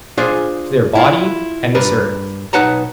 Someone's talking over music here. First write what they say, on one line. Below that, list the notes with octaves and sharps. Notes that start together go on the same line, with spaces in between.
To their body and this earth.
D4 F4 G#4 C5 D5
E4 F4
G2 D4 A#4 B4
B1 D#4 B4 F#5 A5 A#5